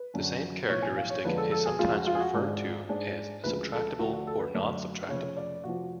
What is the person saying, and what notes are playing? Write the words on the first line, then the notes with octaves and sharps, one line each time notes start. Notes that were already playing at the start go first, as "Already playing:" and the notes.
The same characteristic is sometimes referred to as subtractable or non-subtractable.
Already playing: B4
F#2 D3 F#3 C#4
B1 A2 F3 C#5
G#5
F5
C#5
F2 D3 F3 G#3 B3 B4
A4
A4
G#4
F2 C#3 G#3 F4
F#4
F4
G#4
F#4
G#1 G#2 G#3 D4
G#2 G#3 D4
D2 C#3 F3 G#3 B4
A4
D2 D3 F3 A3 D4 F#4
F#4
A4
B4
F#2 D3 F#3 A3 D4
F1 F2 C#3 C#5
D5
F1 F2 F3 F#4